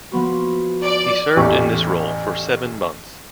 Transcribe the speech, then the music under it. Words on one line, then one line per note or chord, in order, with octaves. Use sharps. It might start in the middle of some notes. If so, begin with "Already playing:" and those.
He served in this role for seven months.
F3 B3 F#4
D5
A1 E2 G4 C#6